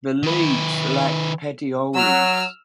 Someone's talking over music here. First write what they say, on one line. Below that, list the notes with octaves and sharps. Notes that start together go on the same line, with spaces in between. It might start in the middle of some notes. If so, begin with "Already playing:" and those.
The leaves lack petioles.
D#3 B4
F#3 E6 F6